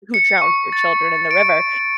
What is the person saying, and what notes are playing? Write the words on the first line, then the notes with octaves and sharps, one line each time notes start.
who drowned her children in the river,
C#7
C#6
A6
D7